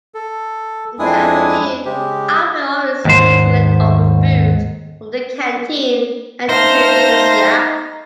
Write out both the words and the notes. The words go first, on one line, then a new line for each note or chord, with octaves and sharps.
In the afternoon Alfred always takes the leftover food from the canteen and takes it to the slab.
A4
F2 G#3 D4 E4 G#5 D#6
C#3 G#3 G4
D#2 G#2 C5
A3 D#4 C5 F5 F6 A#6